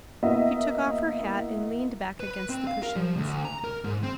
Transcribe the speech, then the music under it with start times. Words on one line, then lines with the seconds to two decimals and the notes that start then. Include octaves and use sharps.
She took off her hat and leaned back against the cushions.
0.23 A#3 B3 E4 F#4 D#5 E5
2.20 B4
2.50 C4
2.67 F5
2.83 A#4
2.96 F3
3.16 D2
3.45 A#5
3.64 A#4
3.84 G#2
4.03 C4